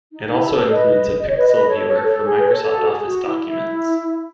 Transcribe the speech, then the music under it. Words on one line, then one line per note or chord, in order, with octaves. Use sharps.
It also includes a Picsel Viewer for Microsoft Office documents.
D#4
E4
A4 C#5
C#5
B4 D#5
D#5
C#5
B4 D#5
B4 D#5
A4 C#5
A4 C#5
A4
G#4
B4
A4 C#5
A4
F#4
G#4
F#4
E4
E4